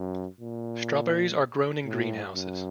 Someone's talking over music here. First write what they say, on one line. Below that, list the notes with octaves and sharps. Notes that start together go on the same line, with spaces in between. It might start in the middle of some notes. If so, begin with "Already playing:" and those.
Strawberries are grown in greenhouses.
Already playing: F#2
A#2
A2
F#2